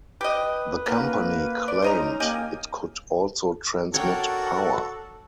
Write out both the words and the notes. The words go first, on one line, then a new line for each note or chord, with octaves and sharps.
The company claimed it could also transmit power.
G4 B4 D#5
D#3 F#3 A#3 C#4
D5
C#4 D#4 C5 D#5 A#5
A#3 G4 D#5 G#5
D4 F#4 A4 A#4 C#5 G5